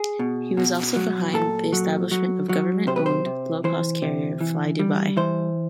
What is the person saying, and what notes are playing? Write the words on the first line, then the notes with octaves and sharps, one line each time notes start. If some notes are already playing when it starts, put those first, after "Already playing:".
He was also behind the establishment of government-owned low cost carrier FlyDubai.
Already playing: G#4
B2
B2
F#3
A#2 A4
F#3
F#3
F#3
C3 C5
B4
C5
C3
E3 C5
C3
E3
G3
E3 C5